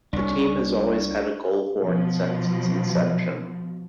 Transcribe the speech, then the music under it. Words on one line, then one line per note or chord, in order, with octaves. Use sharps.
The team has always had a goal horn since its inception.
C2 D4 C#5
B2 F3